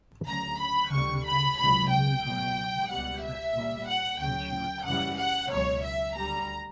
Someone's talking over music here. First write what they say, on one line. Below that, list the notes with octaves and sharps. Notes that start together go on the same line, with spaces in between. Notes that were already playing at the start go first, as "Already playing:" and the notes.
Her evasive maneuvering was successful, and she retired south.
D2 C#3 F#3 A#5
B5
D2 D3 G3 C#6
B5
C#2 B2 F#3 B5
G5
C#2 B2 F#3
C#2 B2 G3 F#5
E5
A#2 G3
F#5
D2 C#3 F#3 G5
F#2 C#3 E3 G3 F#5
F#5
C#2 B2 F#3 C#5
E5
D2 D3 G3 A#5